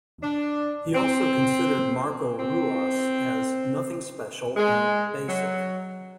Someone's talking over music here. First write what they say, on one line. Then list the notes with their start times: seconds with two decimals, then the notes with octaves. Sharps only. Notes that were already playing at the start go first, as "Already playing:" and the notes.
He also considered Marco Ruas as "nothing special" and "basic".
0.23 D4
0.95 C4
2.39 C4
4.56 G#3
5.28 F#3